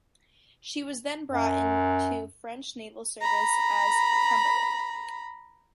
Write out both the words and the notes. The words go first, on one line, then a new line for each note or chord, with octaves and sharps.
She was then brought into French naval service as "Cumberland".
F#2
A#5 B5